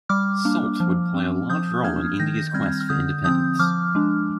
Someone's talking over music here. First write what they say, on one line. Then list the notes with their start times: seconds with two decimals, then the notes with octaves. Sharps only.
Salt would play a large role in India's quest for independence.
0.09 G3 D6 F6
0.45 A#3 D4
0.80 F3
1.14 C4
1.49 F3 D#6 G6
1.84 A#3 D4 F6 G#6
2.20 D#3 G6 A#6
2.50 G6
2.54 G3 C4 F6 G#6
2.81 F6
2.89 D3 D#6 G6
3.24 F3 C4 D#6 G6
3.59 F3 D6 F6
3.95 G#3 D4